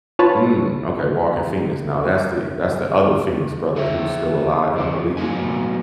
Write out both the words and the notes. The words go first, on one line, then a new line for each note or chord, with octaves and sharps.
Mm, okay. Joaquin Phoenix. Now, that's the that's the other Phoenix brother who's still alive, I believe.
F4 B4 C#5 A5
G#4 C5 C#5 E5
F2 E3 C4
A2 F#3 A#3 B3 D#4 G#5